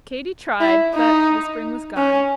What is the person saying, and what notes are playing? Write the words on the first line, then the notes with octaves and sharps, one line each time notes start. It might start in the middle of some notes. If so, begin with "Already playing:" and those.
Katy tried, but the spring was gone.
E4
D#4
C#4